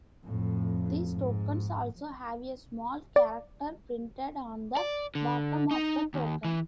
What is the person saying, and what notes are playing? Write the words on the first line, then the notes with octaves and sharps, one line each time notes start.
These tokens also have a small character printed on the bottom of the token.
F2 A2
G#2
D5
D5
D3
D#4
D#2
E3